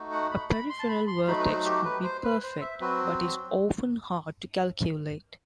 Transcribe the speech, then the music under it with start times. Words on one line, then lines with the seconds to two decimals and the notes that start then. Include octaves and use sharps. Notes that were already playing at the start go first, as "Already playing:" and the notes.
A peripheral vertex would be perfect, but is often hard to calculate.
Already playing: A3 D#4 F#4
0.12 F#5
0.31 B5
0.51 B5
0.70 C6
0.79 A5
0.88 B5
1.07 C6
1.27 F#3 A3 D#4 F#4 B5
1.40 B4
1.46 C5
1.65 G4
1.85 B4
2.03 C5
2.24 B4
2.43 C5
2.61 E5
2.80 F#3 C4 F#4 B4